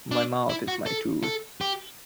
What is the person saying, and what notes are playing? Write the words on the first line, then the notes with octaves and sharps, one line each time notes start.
My mouth is my tool.
D4
E4
F#4
A4
A4
G4